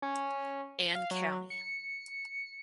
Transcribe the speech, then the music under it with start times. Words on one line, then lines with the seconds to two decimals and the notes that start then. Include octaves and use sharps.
Anne County.
0.02 C#4
0.95 F5
1.11 F#3
1.50 C#7